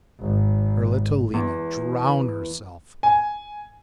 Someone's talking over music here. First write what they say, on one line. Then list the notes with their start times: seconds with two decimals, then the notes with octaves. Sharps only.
Her little Lena drown herself!
0.20 G#1
1.34 E2
3.03 G#5